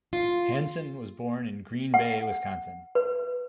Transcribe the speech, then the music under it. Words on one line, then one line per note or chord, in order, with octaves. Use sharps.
Hansen was born in Green Bay, Wisconsin.
F4
F#5
B4